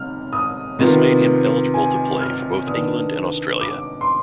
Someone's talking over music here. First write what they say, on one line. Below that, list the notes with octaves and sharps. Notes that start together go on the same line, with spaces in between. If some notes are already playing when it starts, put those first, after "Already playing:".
This made him eligible to play for both England and Australia.
Already playing: C3 D#3 G3 D#4 F6
D#6
C3 D#3 B3 F4
G#5
F6
D#3 B3 D4 D#6
D6
C6